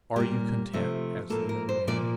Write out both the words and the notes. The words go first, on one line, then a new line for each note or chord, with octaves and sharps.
"Are you content?" asked the young man.
A#2 G3 A#3 G4
C3 F3 A3
A2 F3 A#3 A4
A#4
C5
A#2 F3 A#3 D5